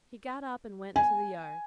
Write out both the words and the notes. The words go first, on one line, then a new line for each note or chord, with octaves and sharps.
He got up and went into the yard.
G#5